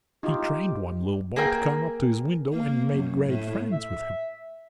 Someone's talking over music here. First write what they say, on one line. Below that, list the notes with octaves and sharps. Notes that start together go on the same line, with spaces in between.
He trained one little boy to come up to his window and made great friends with him....
D#4 F4 G4
A#3 G#4 A#4 D#5 G5
A#3
F#2
A2
E5